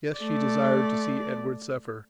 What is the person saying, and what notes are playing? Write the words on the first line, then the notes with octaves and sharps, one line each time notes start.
Yes, she desired to see Edward suffer.
A3 D5